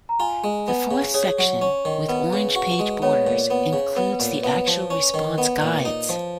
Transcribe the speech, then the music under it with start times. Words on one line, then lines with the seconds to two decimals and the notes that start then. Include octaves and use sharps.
The fourth section, with orange page borders, includes the actual response guides.
0.09 A#5
0.20 F4 G#5
0.44 G#3
0.68 B3
0.91 C#3
1.14 G#4 C#5
1.39 F#3
1.61 C#4
1.85 D#3
2.09 B3 B4
2.33 C#3
2.55 F#4
2.79 G#3
3.02 B3 C#5
3.27 A#2
3.50 B3
3.73 C#3
3.96 B3
4.12 B4
4.20 A#2
4.28 C#5
4.44 B3
4.68 F3
4.90 C#4
5.14 D#3
5.38 B3
5.62 A#2
5.85 D#4
6.09 F3